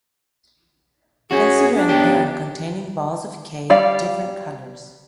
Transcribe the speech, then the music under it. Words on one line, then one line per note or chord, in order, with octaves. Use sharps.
Consider an urn containing balls of "K" different colors.
C#4 F#4 G#4
D4
B3 C#4 G4
G3 D5 F5